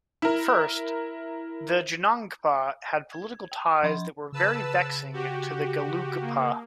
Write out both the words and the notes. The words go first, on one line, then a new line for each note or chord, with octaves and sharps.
First, the Jonangpa had political ties that were very vexing to the Gelugpa.
E4 A#4
G#6
G5
F3 B5 C6
C#3 B4 A5 E6
F#4 G4
A#3